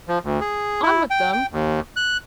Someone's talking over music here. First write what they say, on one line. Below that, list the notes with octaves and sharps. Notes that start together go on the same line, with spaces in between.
On with them!
F3
D2
G#4
E4
G5
G5
D#2
F#6